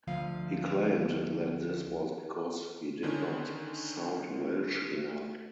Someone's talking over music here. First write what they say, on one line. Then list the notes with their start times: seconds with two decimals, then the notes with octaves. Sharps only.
He claimed that this was because he did not sound Welsh enough.
0.07 D2 F3 F4 F5
3.03 D3 D#3 C#4